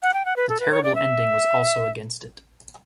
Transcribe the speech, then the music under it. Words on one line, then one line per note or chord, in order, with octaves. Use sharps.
The terrible ending was also against it.
F#5
G5
F#5
B4
A4
B4
C#5
D5
E5